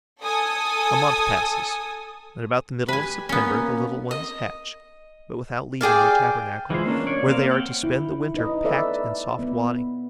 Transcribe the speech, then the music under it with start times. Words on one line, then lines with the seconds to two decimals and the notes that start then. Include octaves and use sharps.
A month passes and, about the middle of September, the little ones hatch, but without leaving their tabernacle, where they are to spend the winter packed in soft wadding.
0.23 A4 G#5 D#6
2.88 G4 B4 G#5
3.29 A#3 B3 C#4
4.11 D#5
5.81 G4 G#4 D5 F5
6.70 E3 G#3 F4 C5
6.86 A#3 C#4 D4
7.07 A#3 C#5 D5
7.28 A#3 C4 F5
7.51 F#5 G5
7.84 E4
8.35 D#4 B4 D#5
8.65 A4 B4 D5 E5
9.39 B3 B4